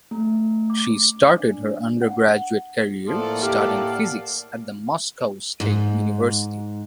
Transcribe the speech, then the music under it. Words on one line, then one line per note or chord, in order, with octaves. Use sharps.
She started her undergraduate career studying physics at the Moscow State University.
A3
D6
D4
F#5
A2 F3 A3 A#3 A4 D5 F#5
G4 F5
G#2